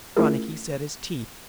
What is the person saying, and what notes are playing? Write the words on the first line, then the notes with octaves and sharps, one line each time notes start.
Ronicky set his teeth.
A3 C#4 E4 F4 G#4 A#4